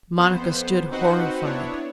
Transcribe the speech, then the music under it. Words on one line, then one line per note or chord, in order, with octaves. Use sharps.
Monica stood horrified.
F2 B3 C5
C4 D#4 F#4 B4 C5 F#5
B3 D4 E4 C#5